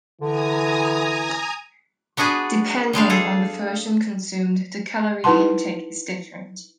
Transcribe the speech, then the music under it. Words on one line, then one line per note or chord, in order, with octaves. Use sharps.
Depending on the version consumed the calorie intake is different.
D3 E3 G#5 A#5 D#6
B3 D4 F#4 G#4 B4
G3 G#3 D4 F5
G#4 A4
D#4 E4 B4 F#5 A5 C6